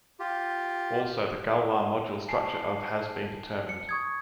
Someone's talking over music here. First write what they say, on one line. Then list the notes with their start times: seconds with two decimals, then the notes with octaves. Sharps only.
Also, the Galois module structure of has been determined.
0.20 F4 G4
2.28 G#5 A5 C7
3.69 C#7
3.89 C#6 D#6 G#6